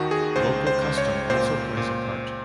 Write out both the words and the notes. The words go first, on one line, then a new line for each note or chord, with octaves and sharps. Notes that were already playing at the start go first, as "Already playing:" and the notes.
Local custom also plays a part.
Already playing: D#2 D#3 F#4
G#4
C#2 C5
C5
C#2
C#5
A#2 C5
A#2